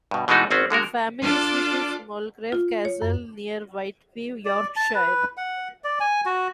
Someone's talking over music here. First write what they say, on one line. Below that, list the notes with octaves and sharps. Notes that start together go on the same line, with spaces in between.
The family seat is Mulgrave Castle near Whitby, Yorkshire.
G2 B2
B2 E3 G#3 A3 D#4 F#4
G#1 C4 C#4 F#4
D3 G#3 F#4 A#4
D4 F4 A4 D5
F4
C#5
F#2
D5
A5
B4
F#5
D5
G#5
F#4